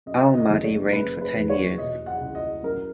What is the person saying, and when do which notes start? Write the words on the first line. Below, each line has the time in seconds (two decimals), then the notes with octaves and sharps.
Al-Mahdi reigned for ten years.
0.06 F#2 D#5
0.35 D#5
0.50 F#1
0.64 C#5
0.92 C#3 B4
1.21 B4
1.36 E2
1.50 C#5
1.78 B2 D#5
2.06 F#5
2.21 C#2
2.35 D#5
2.63 F#2 A#4